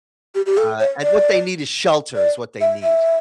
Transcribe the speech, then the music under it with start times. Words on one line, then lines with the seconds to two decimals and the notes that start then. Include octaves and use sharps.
Uh, and what they need is shelter is what they need.
0.35 G4
0.46 G4
0.58 A4
0.80 C#5
1.03 D5
2.16 D5
2.61 E5
2.83 E5